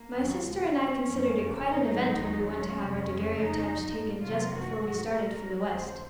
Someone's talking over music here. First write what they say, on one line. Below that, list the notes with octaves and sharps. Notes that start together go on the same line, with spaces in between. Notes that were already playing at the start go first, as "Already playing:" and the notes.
My sister and I considered it quite an event when we went to have our daguerreotypes taken just before we started for the West.
Already playing: A#3
D#2 C#3 F#3
A#2 F3 G#3
A#2 F3 C#4
F#2 F3
F2 C#3 F3
F2 C#3 F3 D#4
G#2 D#3 F#3
D#2 D#3 F#3
A#2 F#3 C#4
F2 C3 F#3 C#4
F2 C#3 F3
F2 C#3 F3 D#4
A#2 F#3
G#2 F3
F2 C3 D#3 F#3 F4
F#2 F3 F#4
G#2 F#3
A#2 F3 A#4
G#2 F3
D#2 C#3 F3 C5